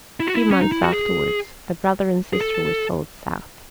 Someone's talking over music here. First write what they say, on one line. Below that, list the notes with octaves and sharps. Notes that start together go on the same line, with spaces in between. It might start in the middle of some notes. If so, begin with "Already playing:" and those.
A few months afterwards a brother and sister were sold south.
E4
F#4
E4
C#4
D#4
E4
F#4
G#4
G#4
A4